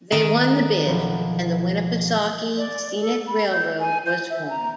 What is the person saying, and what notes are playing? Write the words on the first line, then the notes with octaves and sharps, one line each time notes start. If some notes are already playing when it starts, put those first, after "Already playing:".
They won the bid, and the Winnipesaukee Scenic Railroad was formed.
D#3
B1 E3 F3
D5
A4
B5
G6
G#5
G6
E5
A#5